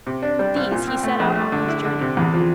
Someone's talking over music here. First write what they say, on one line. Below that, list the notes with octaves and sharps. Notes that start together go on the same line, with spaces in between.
With these he set out on his journey.
C3
D4
G3
C2
A#2
C4
A3
A#1
A3
D3
E4
D3
C3
E2
F3